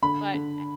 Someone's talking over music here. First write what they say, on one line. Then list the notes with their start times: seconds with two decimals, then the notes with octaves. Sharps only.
but I
0.02 D3 B5
0.34 D3